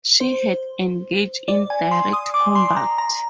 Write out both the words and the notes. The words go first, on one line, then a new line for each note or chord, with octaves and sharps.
She had engaged in direct combat.
C5
D5
G#5
C6
D#6
D6
C6
A#5
A#5